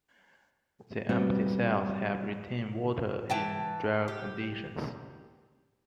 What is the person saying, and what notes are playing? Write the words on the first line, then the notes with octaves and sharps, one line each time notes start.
The empty cells help retain water in drier conditions.
G3 B3 C4 F#4
E3 G5 A5
G4